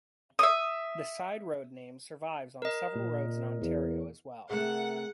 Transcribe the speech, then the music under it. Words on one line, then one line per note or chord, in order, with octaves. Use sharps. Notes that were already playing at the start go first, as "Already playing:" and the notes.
The "side road" name survives on several roads in Ontario as well.
E5 D#6
A#4 D#5
A#2
E2
C3 A3 G#4 A#4 F#5